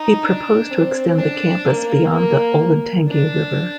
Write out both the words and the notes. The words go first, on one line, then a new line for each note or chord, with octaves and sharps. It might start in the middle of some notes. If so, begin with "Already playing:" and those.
He proposed to extend the campus beyond the Olentangy River.
Already playing: D#4
D4
C4
D4
A#3
A#3
D4